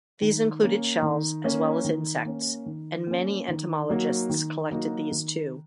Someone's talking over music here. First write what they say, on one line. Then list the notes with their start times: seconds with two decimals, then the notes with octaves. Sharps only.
These included shells as well as insects and many entomologists collected these too.
0.22 D#3
0.63 A#3 C#4
1.02 D#3
1.44 A#3 C#4
1.84 D#3
2.25 A#3 C#4
2.66 D#3
3.07 A#3 C#4
3.48 D#3
3.89 F#3 A#3 D#4 F#4
4.29 D#3
4.71 F#3 A#3 D#4 F#4
5.12 D#3